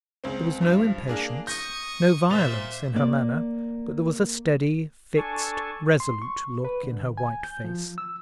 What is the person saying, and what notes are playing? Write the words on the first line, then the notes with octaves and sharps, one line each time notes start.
There was no impatience, no violence in her manner: but there was a steady, fixed, resolute look in her white face.
C#2 C4
G2 F3
A#3 D4 G#4
C#6 D#6 G6 A#6
A#2 C5 E5 A6 F7
A#3 D5
D4 A4 G#5 A5 C#6
C6
C#6
B4
D3
G#5
G6
F3
E6